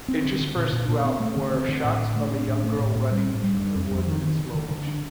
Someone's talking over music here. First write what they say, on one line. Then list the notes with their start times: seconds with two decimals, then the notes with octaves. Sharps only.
Interspersed throughout were shots of a young girl running through the woods in slow-motion.
0.08 C4
0.25 D3
0.41 D3
0.56 A#2
0.72 A#2
0.88 A#2
1.04 C4
1.20 A3
1.37 D3
1.52 C4
1.69 D3
1.84 A2
2.00 D4
2.16 A3
2.31 D4
2.48 A2
2.64 A3
2.79 A2
2.96 A2
3.11 G3
3.27 G2
3.43 G3
3.59 G2
3.75 F2
3.91 F2
4.07 D#3
4.23 D#3
4.39 D3
4.54 D3
4.71 D3
4.87 D4